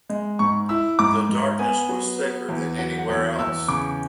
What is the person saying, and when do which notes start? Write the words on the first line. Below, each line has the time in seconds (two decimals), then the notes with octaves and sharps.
The darkness was thicker than anywhere else.
0.10 G#3
0.39 G#2 C#6
0.69 E4 E6
0.99 G#2 D6
1.29 G#2
1.59 B3 G#5
1.89 F#3
2.19 B3
2.49 E2
2.78 F#3 F#5
2.99 F#5
3.09 E2
3.39 E2 E6
3.68 C#3 D6